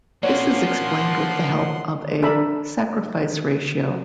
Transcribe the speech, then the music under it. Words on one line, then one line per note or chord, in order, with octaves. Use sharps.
This is explained with the help of a "sacrifice ratio".
F3 A#3 F4 C#5 F#5 C6
D4 A4 A#4 E5 B5